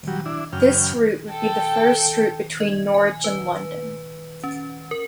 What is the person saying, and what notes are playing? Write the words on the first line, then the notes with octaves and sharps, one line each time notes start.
This route would be the first route between Norwich and London.
F#3 G3
D4 E4
F#2 C#3 G5 F6
A4 G5
D#5
G#5
B4
C#4
A#4